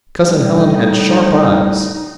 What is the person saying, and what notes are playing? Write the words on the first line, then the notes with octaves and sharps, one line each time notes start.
Cousin Helen had sharp eyes.
A2 D3 G3 D#4